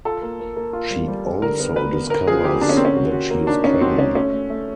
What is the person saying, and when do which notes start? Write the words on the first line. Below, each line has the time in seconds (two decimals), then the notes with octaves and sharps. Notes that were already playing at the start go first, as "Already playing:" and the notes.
She also discovers that she is pregnant.
0.05 F4 A4
0.22 A#3
0.40 A#3
0.57 A#3
0.73 F4
0.90 G3
1.08 G3
1.25 G3
1.42 D3 A#4
1.60 B3
1.76 D3 B4
1.93 B3
2.10 B3 A#4
2.27 F3 G#4
2.44 D3 G4
2.61 D3 D4
2.69 C#4
2.77 A#3 C4
2.85 C#4
2.96 F#4
3.12 F#4
3.31 A#3
3.47 D4 D#4
3.64 C#4 D#4
3.81 C4 F#4
3.98 C#4 F#4
4.15 A3 C#4
4.32 A3
4.50 A3